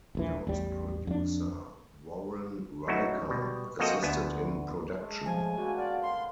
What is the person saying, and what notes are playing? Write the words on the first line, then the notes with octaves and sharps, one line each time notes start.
Down's producer, Warren Riker, assisted in production.
D#1 A#1 E3
A1 E2 G3
F2 D4
F#3 A3 C#4 D#4 E4 F#4
B2 G3
F3 A#3 C4 F#4 A4 D#5
D2 B3 E4 G#5 A5
G#3 A3
C#3 F3 G#5
D3 A#3 B3 F#4
F4 D5
B5 C6